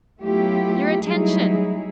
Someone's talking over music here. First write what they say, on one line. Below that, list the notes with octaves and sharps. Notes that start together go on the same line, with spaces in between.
Your attention!
F#3 A3 B3 E4 F4 G4
F#3 G3 A3 D#4 E4 G#4